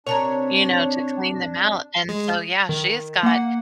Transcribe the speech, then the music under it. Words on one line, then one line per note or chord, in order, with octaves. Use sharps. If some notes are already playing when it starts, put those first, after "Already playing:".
you know, to clean them out. And so, yeah, she's got
C3 D4 A#4 C#5 A5 A#5
G#3
D#3
A#3 F#5